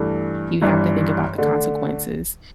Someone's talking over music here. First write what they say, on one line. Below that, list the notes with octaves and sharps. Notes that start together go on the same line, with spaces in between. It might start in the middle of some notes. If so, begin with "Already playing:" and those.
you have to think about the consequences,
Already playing: G2 E3 A3
G1 G2 E3
D3 A3 D4